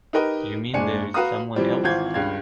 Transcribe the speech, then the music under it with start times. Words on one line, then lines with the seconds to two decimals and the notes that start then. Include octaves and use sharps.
You mean there's someone else?
0.13 D#4 G4 A#4 B4 D#5
0.73 F#1 G#3 D4 G#5 C#7
1.14 F#4 B4 F5 A#5 D#6
1.55 E3 F3 G3 C4
1.84 G#1 E3 C4 F4 G6 G#6
2.14 C#2 G2 F5 G#6